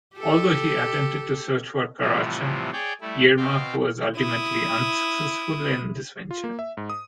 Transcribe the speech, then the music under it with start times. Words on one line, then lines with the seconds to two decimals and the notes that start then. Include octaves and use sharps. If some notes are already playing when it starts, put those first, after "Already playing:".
Although he attempted to search for Karacha, Yermak was ultimately unsuccessful in this venture.
0.16 G4 A4
2.00 A2 C3 E3 F3 G3
2.73 G#4 C#5 D5 G5
3.01 G3 A3 E4
3.37 B2 C4 F5 G5
4.16 E4 D#6
6.31 F4
6.44 A#3
6.59 E5
6.77 G#2
6.90 D#6